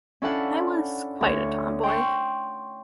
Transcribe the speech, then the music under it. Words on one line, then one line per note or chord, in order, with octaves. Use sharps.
I was quite a tomboy.
C#4 D4 E4 A4 F5 F#5
D2 C#5
G5 C6 C#6